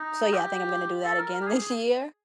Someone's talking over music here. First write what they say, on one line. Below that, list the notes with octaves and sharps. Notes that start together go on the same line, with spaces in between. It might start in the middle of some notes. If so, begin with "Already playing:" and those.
So yeah, I think I'm gonna do that again this year,
Already playing: D#4
G4
A4
A#4
A#4
G4
G#4